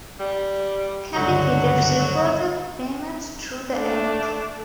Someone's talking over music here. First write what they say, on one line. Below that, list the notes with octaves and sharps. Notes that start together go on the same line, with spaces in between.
Competitors reported payments through the act.
G3
G1 C#2 D3 F#3 F#5
A3 D4